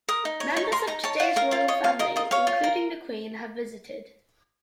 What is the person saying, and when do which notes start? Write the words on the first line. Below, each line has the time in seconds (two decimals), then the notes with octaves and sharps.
Members of today's Royal Family, including the Queen, have visited.
0.09 A#4 D#6
0.25 D#4
0.40 C#5
0.56 D#4 C#6
0.72 A#4 C6
0.87 D#4 A#5
1.04 C#5 A5
1.20 F4 F#5
1.36 A#4 F5
1.51 F4 F5
1.68 C#5 D#5
1.84 F4 F5
1.99 A#4 D#5
2.16 F4 D#5
2.31 C#5 F5
2.47 F4
2.64 A#4